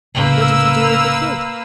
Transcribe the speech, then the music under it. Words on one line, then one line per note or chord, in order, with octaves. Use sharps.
'What did you do with the kid?'
C2 A2 C#3 A#3 B4 E6